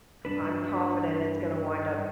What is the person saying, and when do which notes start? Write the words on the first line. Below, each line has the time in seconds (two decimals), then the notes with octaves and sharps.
I'm confident it's going to wind up
0.25 G2 B2 D4 B4